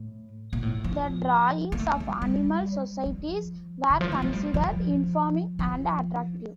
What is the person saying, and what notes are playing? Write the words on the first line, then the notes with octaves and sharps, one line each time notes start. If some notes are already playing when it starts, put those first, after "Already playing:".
The drawings of animal societies were considered "informing and attractive".
Already playing: A2
A#2
A2
F3
A#3
A3
G3
G3
F3
D3
F3
A3
A3
G3
F3
F3